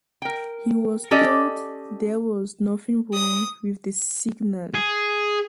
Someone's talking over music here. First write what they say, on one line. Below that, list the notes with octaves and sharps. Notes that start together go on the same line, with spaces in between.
He was told there was nothing wrong with the signal.
A#4 G5
C#4 G4 A4 D5 D#5
D#6
G#4